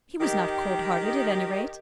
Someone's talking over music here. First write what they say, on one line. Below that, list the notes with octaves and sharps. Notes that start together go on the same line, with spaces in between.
He was not cold-hearted, at any rate.
D#3 G4